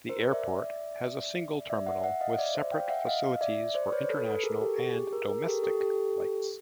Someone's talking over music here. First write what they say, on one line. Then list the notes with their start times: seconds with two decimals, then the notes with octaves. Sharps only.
The airport has a single terminal with separate facilities for international and domestic flights.
0.09 A#4 C5
0.32 D5 E5
1.70 D5 E5
1.86 E5 F#5
2.03 E5 F#5
2.21 D#5 F5
2.38 D5 E5
2.55 C5 D5
2.72 F5 G5
2.89 E5 F#5
3.06 D#5 F5
3.41 D5 E5
3.74 C5 D5
3.92 B4 C#5
4.09 A4 B4
4.26 A4 B4
4.43 G#4 A#4
4.60 G4 A4
4.78 G4
4.95 G#4
5.13 G#4 A#4
5.29 G#4 A#4
5.46 G4 A4
5.63 G4 A4
5.81 G4 A4